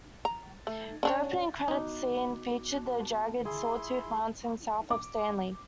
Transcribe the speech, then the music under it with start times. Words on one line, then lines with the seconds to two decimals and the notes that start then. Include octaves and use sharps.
The opening credits scene featured the jagged Sawtooth Mountains south of Stanley.
0.25 A#5
0.67 A3
1.03 C#4 D4 C#5
1.68 B3 D#4 F#4 D6
3.45 E4 G#4 C6
4.91 D6